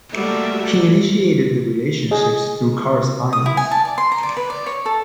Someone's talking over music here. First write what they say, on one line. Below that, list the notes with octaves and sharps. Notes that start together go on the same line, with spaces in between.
He initiated the relationships through correspondence.
G3 A3 A#3 F#4 D5 E5
G#4 D#5
D#6
E4
G#5
A5
D5
C6
A#5
D5
B4
D5
C#5
A4